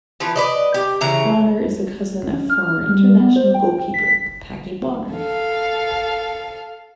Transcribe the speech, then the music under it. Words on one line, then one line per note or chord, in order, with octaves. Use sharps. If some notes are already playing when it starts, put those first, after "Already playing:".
Bonner is a cousin of former international goalkeeper, Packie Bonner.
E3 F3 B4
B4 D5 D#5
G4
C#3 E3 A#5
C#4
F6
G3
B3
C5
G5
B6
A4 F5